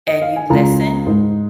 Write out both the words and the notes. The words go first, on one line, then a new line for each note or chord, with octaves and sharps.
and you listen
D#5
F5
G#5
C#2 C#3 G#3 F4 A#5
G#2 G#3 D#4